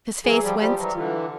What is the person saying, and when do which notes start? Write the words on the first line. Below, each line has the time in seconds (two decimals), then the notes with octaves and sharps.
His face winced.
0.24 E3 F#3 G#4
0.41 F3 G3
0.59 F3 G3 G4
0.77 E3 F#3
0.94 D3 E3 F4